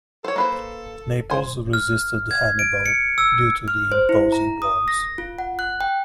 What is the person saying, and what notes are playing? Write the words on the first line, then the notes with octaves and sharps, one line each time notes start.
Naples resisted Hannibal due to the imposing walls.
A4 C5 C#5
A#3 B4 C5
C5 G#5
F6
G#6
D7
C#7
E6
F6
C5
E4
A#5
D#6
A#6
F4
F#5
F#6
G5